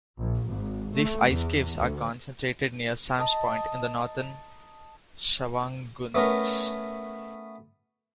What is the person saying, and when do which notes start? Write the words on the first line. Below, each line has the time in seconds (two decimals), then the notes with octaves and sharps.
These ice caves are concentrated near Sam's Point in the northern Shawangunks.
0.18 A#1
0.47 G#1
0.94 A3
1.25 E2
1.75 D2
3.18 D#5 A5 A#5 D#6
6.15 A3 B3 C#4 A#4